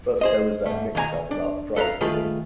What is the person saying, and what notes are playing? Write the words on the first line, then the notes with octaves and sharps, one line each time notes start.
First there was that mix-up about the prize-giving.
G#4 C5 D#5
G#2 A3
D#2 B2 D4 G#5 A#5
D4
A4 B4 D#5 F5 A#5
D#3 A3 F4 G#4 A4 B4